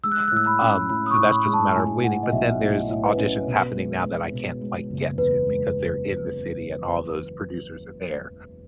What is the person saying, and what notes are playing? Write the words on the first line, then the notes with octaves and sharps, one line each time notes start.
um, so that's just a matter of waiting, but then there's auditions happening now that I can't quite get to because they're in the city and all those producers are there,
G#3 E6
F#6
E6
F#6
A2 E6
B5
C#4
A2 B5
D#6
C#6
A2
B5
G#3
A5
A2 G#5
A2 F#5
D#5
B1 E5
A2 D#5
A2
B4
C#4
B2
G#3
G#3
B2
G#3
F#1
E2 B4
G#3